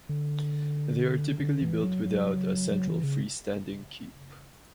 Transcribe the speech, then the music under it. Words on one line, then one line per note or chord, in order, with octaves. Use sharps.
They are typically built without a central free-standing keep.
D3
D3
E3
F#3
F#3
F#3
E3
C#3